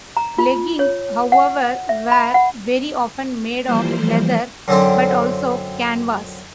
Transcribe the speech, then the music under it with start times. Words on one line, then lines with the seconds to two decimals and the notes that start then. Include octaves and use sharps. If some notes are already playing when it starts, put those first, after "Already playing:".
Leggings, however, were very often made of leather, but also canvas.
0.17 A#5
0.38 F4
0.79 C#5
1.32 F#5
1.89 E5
2.12 B5
2.34 F#5
3.64 E3 F3 G3 A#3 C5
4.68 F#2 D3 C4